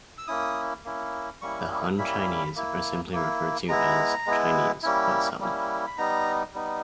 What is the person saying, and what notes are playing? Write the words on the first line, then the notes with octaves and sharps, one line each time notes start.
The "Han Chinese" are simply referred to as "Chinese" by some.
E6
A#3 C#4 E4 D#6
A#3 C#4 E4
G3 A#3 C#4 E4 C#6
G3 A#3 C#4 E4 B5
A#3 E4
A#3 E4
G#3 B3 E4 A#5
G#3 B3 E4
G3 A#3 C#4 E4
G3 A#3 C#4 E4
B5
G3 B3 D#4 A#5
G3 B3 D#4